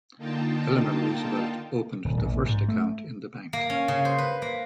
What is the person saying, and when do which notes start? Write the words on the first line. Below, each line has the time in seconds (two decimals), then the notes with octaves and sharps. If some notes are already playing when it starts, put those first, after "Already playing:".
Eleanor Roosevelt opened the first account in the bank.
0.17 D3 A#3 D#4 F4 G5 A5
2.05 D#1
2.22 A#1
2.46 G#2
2.69 A3
3.53 A#3
3.70 C#4
3.88 C#3
4.05 C5
4.18 B4
4.42 A#3